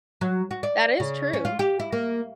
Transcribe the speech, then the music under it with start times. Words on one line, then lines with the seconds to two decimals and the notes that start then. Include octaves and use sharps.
That is true.
0.21 F#3
0.51 F#4
0.63 D5
1.00 C#3
1.33 C#4
1.45 F4
1.59 G4
1.80 E4
1.93 A#3